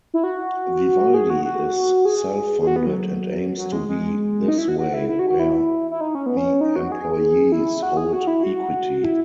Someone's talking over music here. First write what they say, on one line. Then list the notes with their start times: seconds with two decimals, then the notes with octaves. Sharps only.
Vivaldi is self-funded and aims to be this way where the employees hold equity.
0.14 E4
0.24 F#4
1.14 G#4
1.30 F#4
1.45 F#4
2.05 G#4
2.62 G#4
2.67 F#4
2.76 B3
2.86 F#3
3.58 F#3
3.72 G#3
3.88 G#3
4.48 D#4
4.58 E4
4.68 F#4
4.79 F#4
4.94 E4
5.09 E4
5.19 F#4
5.29 F#4
5.39 E4
5.91 E4
6.01 D#4
6.15 C#4
6.26 B3
6.37 C#4
6.61 D#4
6.76 F#4
6.92 G#4
7.52 E4
7.83 F#4
7.97 G#4
8.13 F#4
8.27 E4
8.43 F#4
9.04 E4